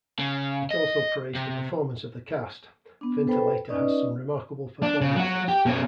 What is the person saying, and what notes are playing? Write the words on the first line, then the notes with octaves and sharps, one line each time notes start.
It also praised the performance of the cast: Ventilator has some remarkable performances.
C#3
D#5
C3
B3 D4
A4 B4 C5 G5 B5
C#4 D#4 B4 D5 D#5
D4
C#3
F#3 F#4
G4
B2 C#4